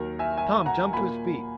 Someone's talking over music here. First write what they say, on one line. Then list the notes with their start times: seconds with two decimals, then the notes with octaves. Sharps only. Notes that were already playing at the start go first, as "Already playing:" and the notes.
Tom jumped to his feet.
Already playing: D#2 D#3 F#3 A#4
0.19 E5 G#5
0.37 E5 G#5
0.66 F#5 A#5
0.93 A#2 A#3 G#5 B5